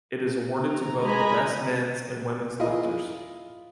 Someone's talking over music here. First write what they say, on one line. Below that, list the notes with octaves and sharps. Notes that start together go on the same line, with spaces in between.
It is awarded to both the best men's and women's lifters.
A#5
G#3 D#5 G#5 A#5 B5
E4 F4 G#4 D#5